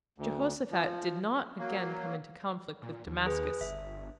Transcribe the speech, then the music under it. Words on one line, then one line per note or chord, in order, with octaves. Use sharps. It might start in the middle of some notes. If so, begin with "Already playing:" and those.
Jehoshaphat did not again come into conflict with Damascus.
D2
F3
F#3 A#3
A#2
D#2
G#4 B4
G1 E5